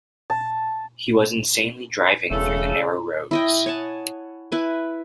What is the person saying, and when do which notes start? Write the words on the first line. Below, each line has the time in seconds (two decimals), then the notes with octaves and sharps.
He was insanely driving through the narrow roads.
0.30 A5
2.31 E1 C#3 A3 A4
3.31 E4 D#5 G5
3.66 C#5 F#5 G#5 A5
4.52 E4 B4 G#5